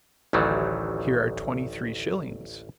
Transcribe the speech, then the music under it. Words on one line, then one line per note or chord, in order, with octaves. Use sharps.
Here are twenty-three shillings.
A1 D2 D#3 E3 F#3 A3